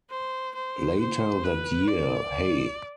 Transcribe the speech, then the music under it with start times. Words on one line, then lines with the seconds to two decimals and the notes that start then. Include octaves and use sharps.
Later that year, Hey!
0.10 C5
0.55 C5
1.00 C5
1.44 B4
1.88 D5